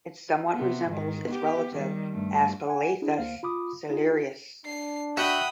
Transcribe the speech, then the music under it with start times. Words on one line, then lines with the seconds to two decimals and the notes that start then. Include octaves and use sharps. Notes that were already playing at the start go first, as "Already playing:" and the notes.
It somewhat resembles its relative "Aspalathus ciliaris".
0.53 C3 B3
0.89 G#2 D#3
1.27 B3 G4
1.72 D#3 G3
2.12 G2 A3
2.67 F#5 G#5
3.02 D4 E4 G#4
3.18 D2 A#3 C5 F5
3.43 F4 B5 D6 D#6
3.90 D#4 F4 G#4
4.65 D4 C7
5.17 F#4 E5 F#5 G5 B5 D#6